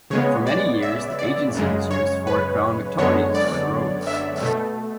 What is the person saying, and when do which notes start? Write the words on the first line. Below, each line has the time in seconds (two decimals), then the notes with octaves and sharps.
For many years, the agency has used Ford Crown Victorias for the road.
0.10 C#3 G#3 B3 C#5
0.47 D5
0.82 E5
1.19 D5
1.55 F#2 C#3 G#3
1.91 C#5
2.27 B4
2.98 F#2 D3 G#3 B3 C#5
3.35 D5
4.07 E5
4.42 B2 A3